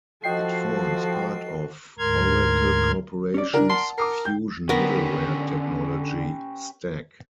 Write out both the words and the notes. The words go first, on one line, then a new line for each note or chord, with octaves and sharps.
It forms part of Oracle Corporation's Fusion Middleware technology stack.
F3 F#4 A4 D#5 G5 C7
D2 G#2 A#4 C6 F6 G#6
C#4 D5
C#3 D4 A#4 D5
F#5 A5 C6
A#4 D6 D#6 C7
G5 G6
D3 B3 C#4 G4 A#4 B4